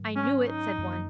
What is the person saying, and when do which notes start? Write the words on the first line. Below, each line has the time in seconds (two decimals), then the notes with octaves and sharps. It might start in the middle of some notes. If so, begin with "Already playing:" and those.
'I knew it,' said one.
Already playing: G#2 D#3 F#3
0.16 C#4
0.47 D#4
0.78 F#2 D#3 A#3